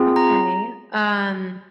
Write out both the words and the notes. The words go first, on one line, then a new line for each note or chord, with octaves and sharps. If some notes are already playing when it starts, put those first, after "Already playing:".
Okay. Um
Already playing: C4 F4 G#4
A#5